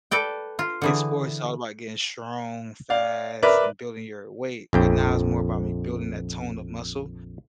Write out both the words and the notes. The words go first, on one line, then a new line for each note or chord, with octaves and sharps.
in sports, it's all about getting strong, fast, and building your weight, but now it's more about me building that tone of muscle
A4 B4 D5 G5
F4
D3 E3 G#4
D5 F5
A#4 B4 D5 E5 D6 F#6
A#1 F2 G5